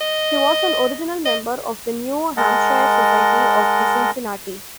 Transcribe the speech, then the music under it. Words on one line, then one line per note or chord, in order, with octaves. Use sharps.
He was an original member of the New Hampshire Society of the Cincinnati.
D#5
D#5
G#3 A#4 D#5 F#5 A5